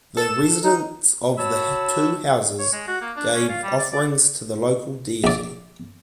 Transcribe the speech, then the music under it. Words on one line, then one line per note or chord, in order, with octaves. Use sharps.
The residents of the two houses gave offerings to the local deity.
A4 E7
D#4
F#4 C#5 A5 B5 E6
C#5
G#3
F#4
A#3
D4
C#4
F4
G3
D5
D5
A#1 D5